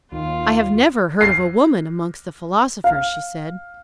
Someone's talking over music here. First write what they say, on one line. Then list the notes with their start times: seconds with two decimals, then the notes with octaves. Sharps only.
"I have never heard of a woman amongst the philosophers," she said.
0.12 D#2 F4
1.21 C7
2.84 F5